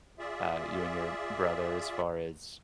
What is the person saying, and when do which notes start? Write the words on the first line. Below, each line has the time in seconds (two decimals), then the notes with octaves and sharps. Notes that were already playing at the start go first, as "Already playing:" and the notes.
uh, you and your brother as far as
0.19 F4 G#4 D5 E5